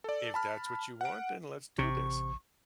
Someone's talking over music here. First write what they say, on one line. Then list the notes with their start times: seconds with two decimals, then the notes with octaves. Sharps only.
if that's what you want, then let's do this,"
0.04 A4 D5
0.34 A5 B5 F6
1.01 F#5 D7
1.78 A1 C3 C#6